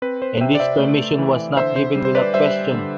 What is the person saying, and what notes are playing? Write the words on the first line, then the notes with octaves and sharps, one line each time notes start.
And this permission was not given without question.
C4 B4
C5
C3 E5 G5
D5
C5 E5
A3
E3
D3 C5 E5
C5
G3
C5
B4 D5
G3 C5 E5
D3